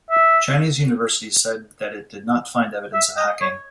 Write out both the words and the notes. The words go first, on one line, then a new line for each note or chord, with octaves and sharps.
Chinese University said that it did not find evidence of hacking.
E5
E5
D#5
C#5